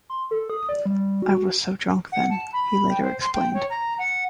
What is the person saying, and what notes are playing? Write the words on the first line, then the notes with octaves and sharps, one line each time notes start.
"I was so drunk then," he later explained.
C6
A4
D#6
D5
G3
F#4
F#5
A5
B5
G5
C5
C6
G5
C#5
A#5
F#5